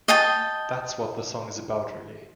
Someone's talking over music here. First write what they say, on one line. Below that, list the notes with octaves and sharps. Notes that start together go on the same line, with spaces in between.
That's what the song is about really.
D#5 G5 A5